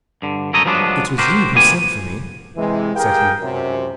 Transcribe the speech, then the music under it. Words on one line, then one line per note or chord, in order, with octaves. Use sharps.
"It was you who sent for me," said he.
G2 D3
F#2 G4 A4 C#5 D#5 A#5
G2 F3 F#3 G#3 B3 D4
F#4 G4 A#4 C5
D2 A#2 B3 G4 G#5
C3 E3 G#3
G4 G#4 A#4 F5 G5
C#2 F#2 C3